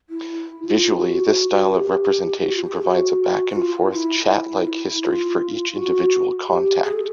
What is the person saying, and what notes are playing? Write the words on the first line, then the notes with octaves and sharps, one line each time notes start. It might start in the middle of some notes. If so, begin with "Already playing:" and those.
Visually, this style of representation provides a back-and-forth chat-like history for each individual contact.
E4
F4
G4
F#4
G4
F#4
F4
G4
G#4
F#4
F#4
F4
E4
F4
E4
F4
F#4
G4
G#4
A4